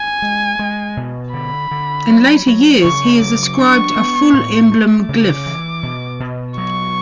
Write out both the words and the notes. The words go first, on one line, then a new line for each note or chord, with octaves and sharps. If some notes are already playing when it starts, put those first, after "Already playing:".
In later years, he is ascribed a full emblem glyph.
Already playing: G#5
G#3
G#3
B2
D3 B5
D3
F#3
F#3
C#3 C#6
F#3 D6
D4 C#6
B3
A2
A3
C#3 D6
E3
B2
B2
F#3 C#6